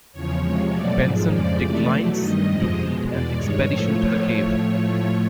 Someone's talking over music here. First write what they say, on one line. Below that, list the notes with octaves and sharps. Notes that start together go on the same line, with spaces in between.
Benson declines to lead an expedition to the cave.
E2 C#3 F3 C#5
C3 F3 G#3 C#5
B2 F#3 A3 D5
G#2 F3 G#3
F2 C#3 F3 G#3 D5
C3 E3 A3
B2 F#3 A3
G2 D#3 G3 D#5
F2 C3 F3 G#3
B2 G#3
E2 B2 G#3 D5
G2 D#3 G#3 C#5
A2 F3 A3